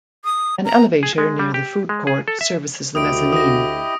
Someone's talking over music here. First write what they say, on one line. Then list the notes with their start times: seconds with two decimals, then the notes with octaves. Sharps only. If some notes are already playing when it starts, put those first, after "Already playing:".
An elevator near the food court services the mezzanine.
0.25 D#6
0.65 A#5
1.03 G#4
1.18 G#3
1.39 G3
1.54 G4
1.89 G#3
2.07 G#4
2.28 A4
2.41 E5
2.95 D2 E4 F#4 G4 D#5 D#6 D7
3.33 D#6 A#6